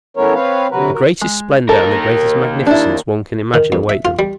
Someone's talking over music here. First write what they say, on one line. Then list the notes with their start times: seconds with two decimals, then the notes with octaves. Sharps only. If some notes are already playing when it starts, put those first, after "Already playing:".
The greatest splendor and the greatest magnificence one can imagine await them.
0.17 E3 A3 B3 C#4 A#4 C#5
0.35 C4 B4 C#5 F5
0.71 D2 C3 F#3 F#4 A#4 B4
0.93 F#4 A#4
1.21 G#3
1.69 D#2 A4 A#4
2.67 D4 E4
3.54 D#3
3.72 F2
3.89 E5
4.05 F4
4.19 G3